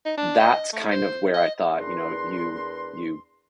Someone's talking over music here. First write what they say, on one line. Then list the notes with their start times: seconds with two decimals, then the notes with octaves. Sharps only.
that's, kind of, where I thought, you know, you you
0.05 D#4
0.17 D4
0.39 D#5
0.73 A3
0.91 C5
1.34 D#5
1.77 E2 D4 A#4 B4 C6